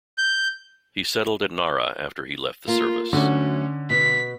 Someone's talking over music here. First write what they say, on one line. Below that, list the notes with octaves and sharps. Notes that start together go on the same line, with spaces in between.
He settled at Nara after he left the service.
G6
A#3 F4
D2 D3 F#3 C#4 F#4
B2 B6